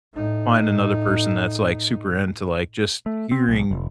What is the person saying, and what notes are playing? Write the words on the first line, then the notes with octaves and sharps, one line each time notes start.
find another person that's like super into like just hearing,
A2 D#4
A3
C4
B1
F1